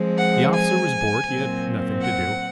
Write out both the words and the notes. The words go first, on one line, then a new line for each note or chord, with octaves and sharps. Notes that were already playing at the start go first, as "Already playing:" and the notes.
The officer was bored, he had nothing to do.
Already playing: F3 G#3 C4
F#5
G#5
A#2 F#3 C4
F#5